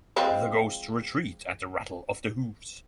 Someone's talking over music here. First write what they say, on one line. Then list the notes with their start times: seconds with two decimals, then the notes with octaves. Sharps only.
The ghosts retreat at the rattle of the hooves.
0.16 F3 G#3 C4